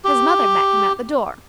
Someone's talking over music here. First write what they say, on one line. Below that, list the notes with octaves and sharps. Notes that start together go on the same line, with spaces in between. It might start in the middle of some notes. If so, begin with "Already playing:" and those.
His mother met him at the door.
G4